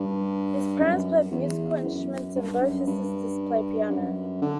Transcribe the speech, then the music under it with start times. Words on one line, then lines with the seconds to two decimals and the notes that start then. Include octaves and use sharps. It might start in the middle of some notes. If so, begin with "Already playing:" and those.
His parents played musical instruments and both his sisters played piano.
Already playing: G2
0.80 F#2
1.25 F#2
1.32 E2
1.83 F#2
2.35 G2
2.61 F#2
2.87 G2
3.90 F#2
4.42 D3